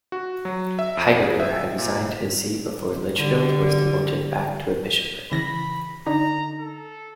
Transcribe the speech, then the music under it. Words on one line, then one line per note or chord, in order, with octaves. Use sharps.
Hygeberht had resigned his see before Lichfield was demoted back to a bishopric.
F#4
F#3
E5
F2
G#4
E5
A#2
D3 G3
C#3 E3 B5 A#6
D3 D#4 A#5
A4